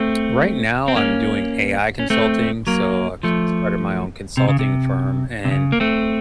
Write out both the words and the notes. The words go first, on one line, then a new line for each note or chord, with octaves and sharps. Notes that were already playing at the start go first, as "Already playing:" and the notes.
right now I'm doing AI consulting, so I've started my own consulting firm, and
Already playing: A3 C4
C4
A#3 C#4
C#4
A3 C4
F#3 A#3
F3 A3
C3
C#3
C3
C3
C#3
A#3
A3 C4